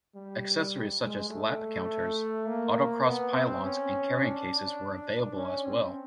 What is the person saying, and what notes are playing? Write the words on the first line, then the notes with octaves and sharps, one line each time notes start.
Accessories such as lap counters, autocross pylons and carrying cases were available as well.
G3
G#3
A3
A#3
B3
C4
C#4
D4
C#4
C4